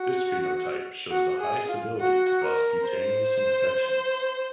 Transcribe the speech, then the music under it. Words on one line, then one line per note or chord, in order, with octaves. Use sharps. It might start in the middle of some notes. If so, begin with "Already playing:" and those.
This phenotype shows the highest ability to cause cutaneous infections.
Already playing: F#4
F#4
G#4
F4
F#4
A#4
C5